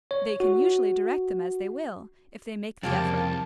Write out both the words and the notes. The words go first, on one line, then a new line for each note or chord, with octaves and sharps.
"They can usually direct them as they will, if they make the effort."
C#5
F#4
C2 F2 C#3 A#3 G4 A5